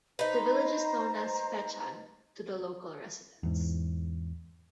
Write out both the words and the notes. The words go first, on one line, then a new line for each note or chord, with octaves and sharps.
The village is known as "Fechan" to the local residents.
D#4 B4 C5 A#5
E2 G#2